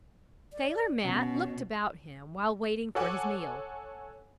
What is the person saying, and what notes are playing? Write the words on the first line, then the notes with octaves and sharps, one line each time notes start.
Sailor Matt looked about him while waiting for his meal.
D5
B2 C#4
A4 C#5 F#5 G#5 D6